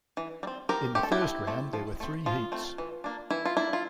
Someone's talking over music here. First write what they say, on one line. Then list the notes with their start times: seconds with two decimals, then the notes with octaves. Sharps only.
In the first round, there were three heats.
0.17 E3
0.43 G3
0.47 C4
0.69 F3 G4 A#4
0.95 A3 C4 G4
1.03 A4
1.12 E4 G4
1.21 F3
1.47 A3 C4
1.73 F3
2.00 A3 C4
2.26 F3 F4
2.52 A3 C4
2.78 E3
3.04 A#3 D4
3.30 E3 E4
3.45 F4
3.57 A#3 D4 E4
3.73 F4